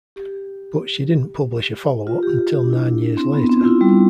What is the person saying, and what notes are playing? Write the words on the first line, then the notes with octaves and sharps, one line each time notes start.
But she didn't publish a follow-up until nine years later.
G4
F4
G4
G4
F4
D4
E4
D4
C4
B3
B3
C4
F4
E4
G3